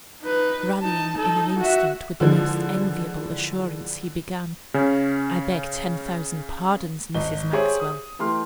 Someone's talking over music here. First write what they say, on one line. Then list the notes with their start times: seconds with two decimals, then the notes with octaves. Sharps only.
Rallying in an instant, with the most enviable assurance, he began,--'I beg ten thousand pardons, Mrs. Maxwell!
0.21 D#4 B4
0.82 D#4 A5
1.15 D#4 A4
1.59 F#4 E5
2.20 D3 E3 F3 G#3
4.74 C#3 C#4
7.15 G#1 D#5 G7
7.53 G4 G#4 C5 C#5 E5 G5
7.80 D#6
8.19 E3 A3 G4 C6 F6